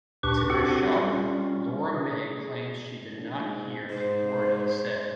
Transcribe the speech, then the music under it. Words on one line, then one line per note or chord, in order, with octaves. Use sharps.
To his shock, Lora Mae claims she did not hear a word he said.
D2 A#2 D4 G4 B4 C#6
C4 D4 F#4 G4 A4 F#5
G3 C#4 F4
G#4
A#1
G#2
G#2 C5